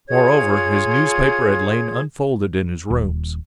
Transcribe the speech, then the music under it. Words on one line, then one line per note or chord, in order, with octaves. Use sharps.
Moreover, his newspaper had lain unfolded in his rooms.
F4 G#4 C#5 G#6
D#1